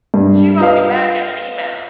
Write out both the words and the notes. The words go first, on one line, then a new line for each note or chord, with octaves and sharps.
She wrote me back in an email,
G2
F4 B4 D#5 F5